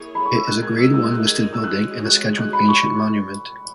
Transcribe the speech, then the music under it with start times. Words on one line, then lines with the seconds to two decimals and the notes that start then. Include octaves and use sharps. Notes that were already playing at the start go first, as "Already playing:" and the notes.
It is a Grade One listed building and a Scheduled Ancient Monument.
Already playing: A#3 E4 G#4 C#5
0.15 B5
0.26 C#6
0.36 E6
0.47 G#3 D#4 F#4 A#4 F#6
0.62 G#6
0.79 E6
0.94 E6
1.11 F#6
1.26 G#6
1.53 E6
1.64 F#6
1.74 G#3 C#4 F#4 C#5
2.06 F#6
2.38 F#6
2.53 B5
2.69 C#6